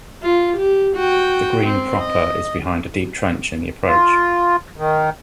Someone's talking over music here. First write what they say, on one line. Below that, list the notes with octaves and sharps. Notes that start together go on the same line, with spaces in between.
The green proper is behind a deep trench in the approach.
F4
G4
F#4 G5
C4
D#5
F4
D#3